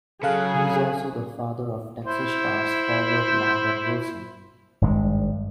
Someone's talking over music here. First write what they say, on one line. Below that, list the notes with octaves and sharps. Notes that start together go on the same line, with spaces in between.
He is also the father of Texas Stars forward Landon Wilson.
C#3 F#3 G#4 A4 F5 F#6
E4 C5
G#1 G2 G#3